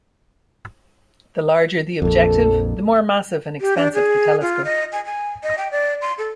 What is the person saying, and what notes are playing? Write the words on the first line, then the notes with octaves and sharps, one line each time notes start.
The larger the objective, the more massive and expensive the telescope.
A#1 F2 A4
G4
D4
G#4
F4
D#5
G#5
G#5
D#5
G5
D5
C6
A4